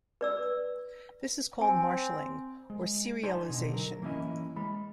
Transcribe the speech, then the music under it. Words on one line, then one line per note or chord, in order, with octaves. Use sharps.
This is called marshalling or serialization.
B4 D5 E6
C4 G#5
G#3
D#4 C5 D5 G#5 A5 C6
B2 D3 D#4
F#3 A#4
E3 A#3 C#4 E4 D#5
G#3 B5